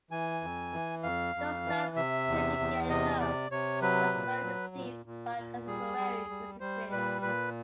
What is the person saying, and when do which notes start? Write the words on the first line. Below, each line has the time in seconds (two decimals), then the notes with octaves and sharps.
"Don't Stop 'Til You Get Enough" was well received by contemporary music critics.
0.11 E3 G#5
0.41 F2
0.73 E3
1.03 F2 F5
1.35 F2
1.66 E3
1.96 C3 E5
2.27 E2
2.59 E2
2.89 C3 D#5
3.20 C3 D5
3.51 C3 C#5
3.82 F#3 B4
4.14 A#2
4.43 F#3
4.75 A#2
5.05 A#2
5.37 A#2
5.67 G3 G#4
5.98 G3
6.30 G3
6.60 G3 C5
6.91 A#2 B4
7.22 A#2 B4